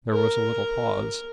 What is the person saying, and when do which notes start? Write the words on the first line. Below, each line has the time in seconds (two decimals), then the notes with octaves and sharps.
There was a little pause.
0.13 A#4